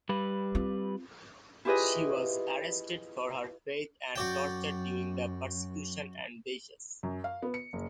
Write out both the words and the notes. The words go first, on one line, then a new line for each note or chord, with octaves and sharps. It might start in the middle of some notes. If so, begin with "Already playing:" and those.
She was arrested for her faith and tortured during the persecution of Decius.
G3 B4
C4 F4
E4 F4 G4 G#4 B4 D#5
F#2 F#4 D5 G5
F#2
F5
B3
C#7
F#1